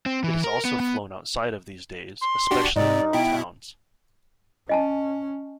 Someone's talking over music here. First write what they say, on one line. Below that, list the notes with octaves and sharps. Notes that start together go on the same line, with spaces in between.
It is also flown outside of these days, especially in rural towns.
C4
E3
A#4
B3
B3
C6
D4 F#4 G4
G#2 C3 D#4 D5
B2 E4 G5
C#4 D#5 G#5 A5